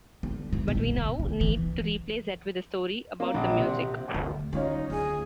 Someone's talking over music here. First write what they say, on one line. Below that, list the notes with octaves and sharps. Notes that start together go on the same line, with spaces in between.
But we now need to replace that with a story about the music.
D3
E4 F4
A#1 D#3
D3
E3
E3
A#3
A#1
C3
D2
F#3 C#4 D#4 F4 C#5
D2 G#4